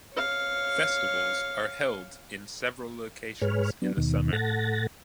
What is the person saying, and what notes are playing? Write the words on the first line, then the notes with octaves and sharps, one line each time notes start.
Festivals are held in several locations in the summer.
C#5 F5
G#2 G#4 B4 C#5 F6
F#3 B3 D4
D#2 B2 D#3
A2 A4 F#5 A6 A#6